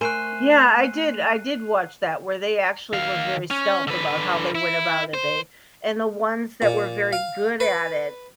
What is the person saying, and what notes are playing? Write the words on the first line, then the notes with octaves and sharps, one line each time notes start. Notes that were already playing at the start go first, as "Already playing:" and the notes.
Yeah, I did I did watch that, where they actually were very stealth about how they went about it, they and the ones that were very good at it
A3 A#4 C5 G#5 C#6 F#6 C7 D#7
D#3 F5
C#4
D3 B4
E4
C5
A#2
F5
B4